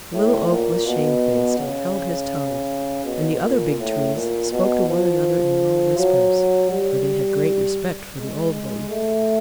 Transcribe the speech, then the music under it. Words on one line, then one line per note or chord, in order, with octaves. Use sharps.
The Little Oak was shamefaced, and held his tongue; and the other big Trees spoke to one another in low whispers, for they had great respect for the old one.
A2
A#2
B2
C#3
B2
A#2
A2
A#2
B2
F3
F#3
G3
G#3
A3